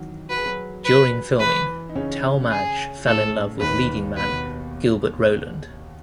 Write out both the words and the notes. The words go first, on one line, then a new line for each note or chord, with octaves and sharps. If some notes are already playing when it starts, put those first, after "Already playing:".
During filming, Talmadge fell in love with leading man Gilbert Roland.
Already playing: D#3 E3 F#3 F#4
F#4 B4
G#4
F#3 F#4
B4
E3 E4 B4
D#4
C#3 C#4
G#4
A2 A3 A4
D#2 D#3 B4
B2 B3 B4